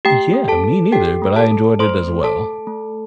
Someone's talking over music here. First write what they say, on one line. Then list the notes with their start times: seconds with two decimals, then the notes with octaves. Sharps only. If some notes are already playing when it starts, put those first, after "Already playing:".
Yeah, me neither, but I enjoyed it as well.
0.05 A3 G4 G5
0.34 A3
0.48 A4 A5
0.64 A4
0.92 G4 A4 G5
1.22 A3
1.36 A4 A5
1.51 A3
1.79 A3 C5 C6
2.09 A4
2.24 A4 A5
2.38 A3
2.67 A3